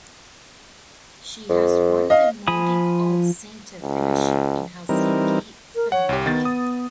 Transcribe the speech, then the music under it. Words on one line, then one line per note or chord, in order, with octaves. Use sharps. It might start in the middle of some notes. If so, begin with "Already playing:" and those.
She has won the Nordic Arts Center fellowship in Helsinki, Finland.
F2
D#5 F5
F3 G#5 B5 D#6
C#2
E3 G3 C4 D#4 A#4
A#4
C#5 F#5
C2 G4
D#3 B3 A6
D#6